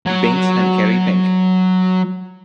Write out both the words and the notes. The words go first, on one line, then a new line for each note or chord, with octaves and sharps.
Binks and Kerry Pink.
F#3 C#5